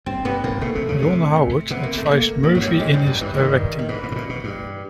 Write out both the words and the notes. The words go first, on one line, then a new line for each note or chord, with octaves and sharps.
Ron Howard advised Murphy in his directing.
G2 C4
G2 B3
G#2 A#3
B2 A3
C3
C#3
C3
C3 B3
A#3
A3
A#3
G#2
G#2 F#3
G2
G3
G#2 G#3
G2 G3
F#2 G3
G2 E3
G2 D#3
D#3
G#2 E3
G#2
A2
A#2
B2
G2